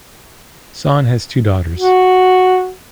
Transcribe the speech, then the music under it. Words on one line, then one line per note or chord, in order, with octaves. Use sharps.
Sohn has two daughters.
F#4